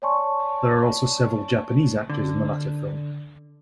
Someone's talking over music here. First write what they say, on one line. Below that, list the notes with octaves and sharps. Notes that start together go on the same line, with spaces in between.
There are also several Japanese actors in the latter film.
C#5 D5 G#5 A5 C6 C#6
D3